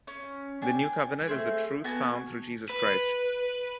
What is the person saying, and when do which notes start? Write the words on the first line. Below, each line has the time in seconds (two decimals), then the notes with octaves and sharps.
The New Covenant is the truth found through Jesus Christ.
0.07 C#4
0.62 D4 G5 G#5
1.27 A3 C4 G#4
1.84 B3 F#4 G#5 A5
2.70 B4